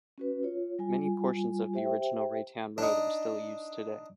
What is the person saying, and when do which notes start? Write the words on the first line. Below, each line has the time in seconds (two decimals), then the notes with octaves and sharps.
Many portions of the original Raytown Road still are used today.
0.18 C#4 F#4 B4
0.43 F4 C#5
0.79 G3 F4 G#5
1.74 G4 C5 E5 G5
2.78 D4 D#4